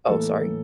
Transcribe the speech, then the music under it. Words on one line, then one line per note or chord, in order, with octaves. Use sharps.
Oh, sorry?
A2 E3 A#3 A4
A2 E3 A#3